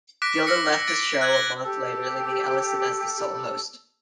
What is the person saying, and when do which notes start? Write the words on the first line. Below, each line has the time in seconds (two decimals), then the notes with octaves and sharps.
Gilden left the show a month later, leaving Ellison as the sole host.
0.22 D6 F#6 A#6 B6 D7
0.47 E6 A#6 C#7
0.87 F#6 A6 D7
1.21 F#6 G#6 F#7
1.33 A#6 G7
1.64 G4 A4